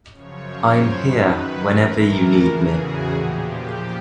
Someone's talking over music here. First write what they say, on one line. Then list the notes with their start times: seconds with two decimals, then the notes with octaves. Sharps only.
I'm here whenever you need me.
0.11 F#2 C#3 F3 C#5
0.48 C5
0.86 F#2 D#3 B4
1.61 A2 E3 A#4
1.98 A4
2.35 E2 C#3 E3 G#4
2.74 F#4
3.11 A#2 F3 G4